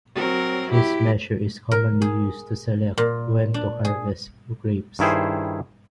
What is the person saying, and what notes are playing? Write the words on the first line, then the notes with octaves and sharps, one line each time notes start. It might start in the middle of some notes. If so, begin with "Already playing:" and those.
This measure is commonly used to select when to harvest grapes.
F#3 C4 A#4
E4 G4
A#4
G#4
A#2
D4
G#4
G2 D#3 E4 G#4 C5